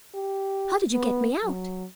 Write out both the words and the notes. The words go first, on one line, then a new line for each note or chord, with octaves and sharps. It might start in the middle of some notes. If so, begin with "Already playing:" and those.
How did you get me out?
G4
B3
F#3